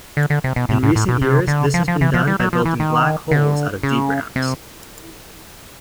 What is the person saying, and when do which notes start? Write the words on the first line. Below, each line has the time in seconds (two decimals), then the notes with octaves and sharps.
In recent years, this has been done by building black holes out of D-branes.
0.17 D3
0.30 D3
0.44 C3
0.56 B2
0.69 A2
0.83 A2
0.96 A2
1.08 B2
1.22 C3
1.48 D3
1.74 F3
1.88 F3
2.01 E3
2.14 F3
2.27 G3
2.40 F#3
2.53 F3
2.65 E3
2.80 D#3
3.31 D3
3.83 C#3
4.36 C3